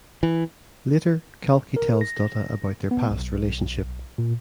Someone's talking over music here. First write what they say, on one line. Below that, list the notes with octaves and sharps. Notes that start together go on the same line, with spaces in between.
Later Kalki tells Dutta about their past relationship.
E3
A#4
A#6
B3
B1
A#2